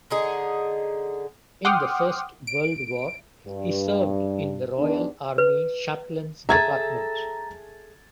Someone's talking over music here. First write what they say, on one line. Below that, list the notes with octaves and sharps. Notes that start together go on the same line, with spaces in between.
In the First World War he served in the Royal Army Chaplains Department.
D3 D#4 G#4
F#5 G5 C6 D6 D#6 F6
D7
G2
E2 D#3 B3 D4
B4
G#4 A4 E5 A#5 G#6 A6